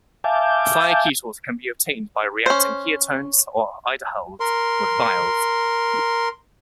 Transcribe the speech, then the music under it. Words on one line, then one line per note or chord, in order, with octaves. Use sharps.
Thioketals can be obtained by reacting ketones or aldehydes with thiols.
E5 F5 G#5 A5 D6 G6
C#4 C5
A#4 C6